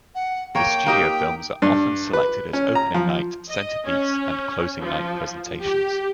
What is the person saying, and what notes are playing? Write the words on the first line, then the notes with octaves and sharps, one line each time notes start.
The studio films are often selected as Opening Night, Centerpiece, and Closing Night presentations.
F#5
A#3 C#5 G5
A#3 D#4 G4
G2
B4
C#4
A#5
F3
D#5
C#4
F3
G4